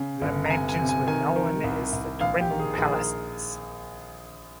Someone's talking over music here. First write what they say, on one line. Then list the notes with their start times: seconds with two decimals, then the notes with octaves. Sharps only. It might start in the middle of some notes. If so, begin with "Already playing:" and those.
The mansions were known as the Twin Palaces.
Already playing: C#3
0.22 G1
0.46 A#5
0.50 C3 G#5
0.69 G#5
0.79 C3
0.89 G#5
1.07 D#3 G#5
1.36 D#3
1.64 C2
1.93 C2
2.21 A#1 F5
2.41 G4
2.50 D#3
2.59 G#4
2.78 A#1 G#4
2.92 A#4